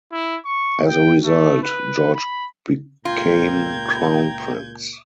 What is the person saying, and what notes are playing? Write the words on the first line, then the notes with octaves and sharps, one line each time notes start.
As a result, George became Crown Prince.
E4
C#6
G5
A3
B4
B5
C#2 A#2 F4 G5 A#5 G6 G#6